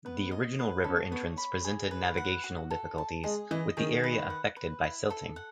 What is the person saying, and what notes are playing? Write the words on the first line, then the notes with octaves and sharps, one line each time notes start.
The original river entrance presented navigational difficulties, with the area affected by silting.
B3 B4
D#5
B4
C#4 A4
B3 C#5
B5
G#4
B4
F#5
F#4
A4
A5
G#3 G#4
E3 D#5
D#3 G#4
B4
F#5
B4
E4
A4
F#5